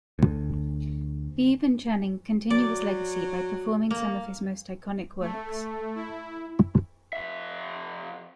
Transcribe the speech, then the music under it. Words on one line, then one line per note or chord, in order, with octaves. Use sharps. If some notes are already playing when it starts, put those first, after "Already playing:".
Bibbe and Channing continue his legacy by performing some of his most iconic works.
D2
F#3 D5
A#3
A3
E4
F2 E5